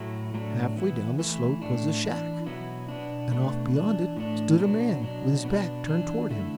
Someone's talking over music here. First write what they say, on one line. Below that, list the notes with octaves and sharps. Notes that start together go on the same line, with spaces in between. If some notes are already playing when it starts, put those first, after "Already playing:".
Halfway down the slope was a shack and off beyond it stood a man with his back turned toward him.
Already playing: A2 F#3 A3 E4
A2 F#3 A3 D4
E3 B3 E4
E3 A3 E4
A2 A3 D4
E3 D4
B2 F#3 B3 E4
B2 B3 D4
B2 A3 D4
E3 D4
A2 A3 D4
B2 F#3 B3 D4
B2 F#3 D4
B2 B3 D4
E3 D4
D3 A3 E4